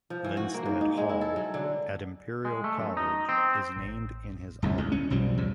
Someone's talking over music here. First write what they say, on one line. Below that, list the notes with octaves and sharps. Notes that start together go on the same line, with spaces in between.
"Linstead Hall" at Imperial College is named in his honour.
F3
E3
F#4
A#3
G#2
D#4
G#3
E4
A4
F#3
D3
G#3
A3
F#2
D#4
C4
A1
D1 C2 G#2
C#2
C#4
B1 F#2 F3 G3
E2 A2